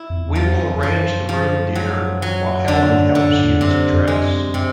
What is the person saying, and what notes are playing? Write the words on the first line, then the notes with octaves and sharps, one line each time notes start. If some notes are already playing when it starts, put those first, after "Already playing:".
We will arrange the room, dear, while Helene helps you to dress.
Already playing: E4
F2
E2
F3
F2
F2
F#2 F3
F3
F#3
F#3
F2 D3
G2
F#2
D3
G#2
E2
F2
F#2 C3
F2
G#3
F#2
C3